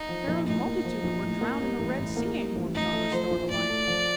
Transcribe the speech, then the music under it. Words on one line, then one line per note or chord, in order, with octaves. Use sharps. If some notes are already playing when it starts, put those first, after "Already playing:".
Pharaoh's multitude that were drowned in the Red Sea, ain't more beyond restoring to life.
Already playing: D#4
F3
A#1
A2 D#4
A#3
F3
A#1
A2
A#3
G3
A1
A2
A#3
G3
A1
A2 D#4
A3
F3 C5
A#1
A2 D5
A3
F3